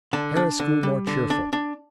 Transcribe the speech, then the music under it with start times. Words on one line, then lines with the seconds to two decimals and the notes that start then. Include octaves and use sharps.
Harris grew more cheerful.
0.13 D3 A5
0.36 D4
0.60 D3
0.83 G3
1.07 D3
1.30 D4
1.53 D4